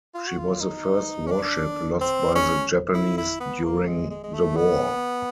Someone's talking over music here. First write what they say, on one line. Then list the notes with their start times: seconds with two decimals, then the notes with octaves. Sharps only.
She was the first warship lost by the Japanese during the war.
0.14 F4
0.27 F#4
0.38 F4
0.61 D#4
1.27 C#4
1.31 D4
2.01 C4
2.35 C#4
2.94 E4
3.18 E4
3.40 B3
3.65 A#3
3.87 G#3
4.10 G#3
4.24 G#3
4.34 A3
4.57 B3